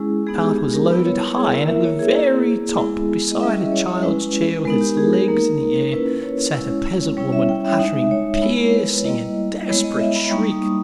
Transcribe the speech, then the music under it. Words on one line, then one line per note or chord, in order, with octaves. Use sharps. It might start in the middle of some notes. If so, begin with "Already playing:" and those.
The cart was loaded high, and at the very top, beside a child's chair with its legs in the air, sat a peasant woman uttering piercing and desperate shrieks.
Already playing: G#3 C#4 E4 G#4
G#3 B3 D#4 G#4
G4
G#4
A#4
G3 B3 E4 B4
C#5
C#5
G#4
A#3 E4 A#4
E5
C#5
G#4
A#3 E4
G#3 B3 E4
D#5
G3 C#4 E4 E5
D#5
C#5
C#5
G#3 C#4 E4 B4
G#3 B3 D#4 A#4
G4
G#4
A#4
A#3 D#4
A#3 C#4 E4 B4
C#5
G#3 C#4 E4
G3 C#4 E4 C#5
E5
G5
E5
G#3 D#4 E5
C#5
G#3 B3 E4 C#5
B4
G3 A#3 E4 D#5
G#3 B3 E4 C#5
D#5
E5
B5
G3 A#3 D#4 C#6
D#6